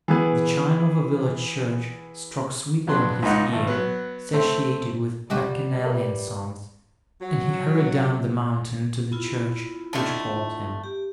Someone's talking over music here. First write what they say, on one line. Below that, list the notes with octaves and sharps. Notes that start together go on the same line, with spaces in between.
The chime of a village church struck sweetly on his ear, satiated with Bacchanalian songs; and he hurried down the mountain to the church which called him.
E3 B3 G#4
F2 F#3 B3 D4 C6
C#2 G#2 D#4 F#5
G#1
F#3 B3
A3 C4
F3 G3 G#3 F#4 G4
A#4 B4 E5
F#3
B3 E4 F4
D3 D#3 A3
G4